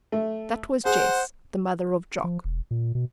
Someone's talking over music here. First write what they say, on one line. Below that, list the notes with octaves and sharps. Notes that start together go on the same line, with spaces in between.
That was Jess, the mother of Jock!
A3
G#4 C5 F#5
F3
E1
A#2
B2